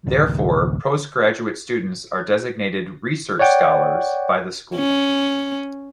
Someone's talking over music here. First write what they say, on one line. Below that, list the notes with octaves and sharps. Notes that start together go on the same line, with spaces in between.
Therefore, postgraduate students are designated "Research Scholars" by the school.
A1 D2
C#5 D5 F#5 G5
C#4